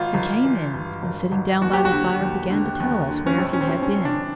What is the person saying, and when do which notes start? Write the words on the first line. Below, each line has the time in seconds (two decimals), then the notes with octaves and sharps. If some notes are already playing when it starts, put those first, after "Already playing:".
He came in, and sitting down by the fire, began to tell us where he had been.
Already playing: G#1 F4
0.14 G#1
0.44 E3
0.74 G2
1.03 G#1
1.32 G#1
1.62 D#2 F#4
1.73 G4
1.85 F#4
1.91 D3
2.21 D#2
2.50 D3
2.80 D#2
3.09 D3
3.26 C#4
3.38 A#1 C4
3.53 C#4
3.61 C4
3.68 A#1
3.83 C#4
3.98 E3
4.05 D4